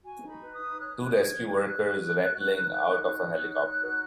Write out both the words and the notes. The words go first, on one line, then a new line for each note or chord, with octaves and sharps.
Two rescue workers rappelling out of a helicopter.
F#4 G#5
D#4
B5
B4
D#6
D#4
C#5 F#6
C#5
F#4 G#6
F#4
B4 F#6
B4
F#4
F#4
F#4
D#4
B4
D#4
F#4 F#6
D#4
C#5
D#4
F#4